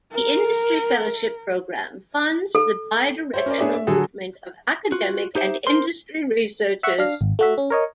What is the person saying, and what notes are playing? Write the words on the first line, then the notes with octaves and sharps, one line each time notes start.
The Industry Fellowship programme funds the bi-directional movement of academic and industry researchers.
A#4
A4
C5 C#5 E5
C#4 A#4 C5 D5
B3 D4 G#4 C#5 D5 E5
E5
D3 F#3 F#4 G#4 A4
F4 F#4
D#4 G4 C5 E5
A#4 C5 C6
E5 F#5 C#6
D4 F5
G#1
A3 F#4 E5
C#4
A#4 C#5 D#5